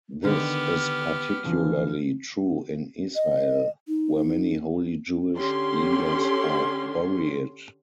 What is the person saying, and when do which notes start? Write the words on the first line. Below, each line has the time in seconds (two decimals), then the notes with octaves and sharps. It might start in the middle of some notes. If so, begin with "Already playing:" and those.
This is particularly true in Israel were many holy Jewish leaders are buried.
0.24 D3 D#3 B3 G4 F6
1.44 E2 C#3 E3 F3
3.16 D#5
3.88 D#4
5.39 D3 C#4 G4 C6